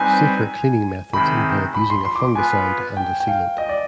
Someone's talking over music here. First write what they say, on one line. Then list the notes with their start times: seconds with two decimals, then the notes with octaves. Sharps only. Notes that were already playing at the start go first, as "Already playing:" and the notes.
Safer cleaning methods involve using a fungicide and a sealant.
Already playing: G3 C4 D#4 B4 G#5
1.13 C3 D#3 G#3 C4 D#4 B5
1.74 B5
1.90 C6
2.05 C6
2.15 D6
2.20 C6
2.35 B3 F4 B4 G#5
2.97 G5
3.20 G5
3.27 F5
3.58 D#5
3.69 D5